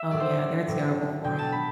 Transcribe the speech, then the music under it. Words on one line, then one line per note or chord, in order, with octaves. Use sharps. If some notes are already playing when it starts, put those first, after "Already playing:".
Oh yeah, they're terrible for you.
Already playing: E5
A2 F#3 D5
C5
D5
A2 F#3
B2 F#3 G5
A5
B5